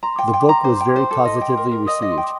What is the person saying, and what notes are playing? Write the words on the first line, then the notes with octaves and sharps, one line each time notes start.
The book was very positively received.
A#5 C6
G5 D6
C6
G5
D6
A#5 C6
C5 D6
G5 C6
D6
C5 C6
A4 D6
D#5 C6
D6
G5
C6
A#4
A#4
D#5 D#6
D#5 D6
C6
G5
D6